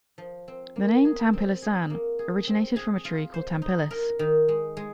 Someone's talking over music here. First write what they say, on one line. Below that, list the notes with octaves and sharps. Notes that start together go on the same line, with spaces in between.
The name Tampilisan originated from a tree called "Tampilis".
F3
C4
A#3
G#4
C4
G#4
A#3
G#4
C4
G#4
F4
C5
D#4
A#4
D#3
G#3
G#3